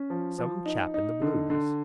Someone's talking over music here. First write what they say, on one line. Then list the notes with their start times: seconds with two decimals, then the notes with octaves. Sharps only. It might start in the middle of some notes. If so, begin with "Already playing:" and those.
Some chap in the blues.
Already playing: C#4
0.10 F3
0.38 F3
0.66 D#4
0.94 D#4
1.22 D3
1.50 D3